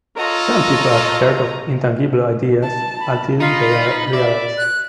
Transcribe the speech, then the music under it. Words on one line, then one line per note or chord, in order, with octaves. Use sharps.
Some people are scared of intangible ideas until they are realized.
F4 A4 C#5 D#5 A#5
A5
B5
D#4 F4 B5
D5 E5
F#6